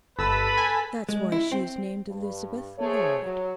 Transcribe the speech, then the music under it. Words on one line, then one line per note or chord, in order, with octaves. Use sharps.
That's why she is named Elizabeth Lloyd.
G1 A4 B4 B5 E6
G#5
G#3
E4
C4
G2
F3 A3 G#4 C#5
F#3